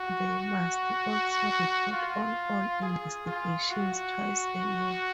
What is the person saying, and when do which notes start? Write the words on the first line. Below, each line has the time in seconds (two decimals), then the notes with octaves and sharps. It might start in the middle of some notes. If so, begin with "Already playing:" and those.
They must also report on all investigations twice a year.
Already playing: F#4
1.92 F4
2.82 G#4
3.26 F4
3.71 F#4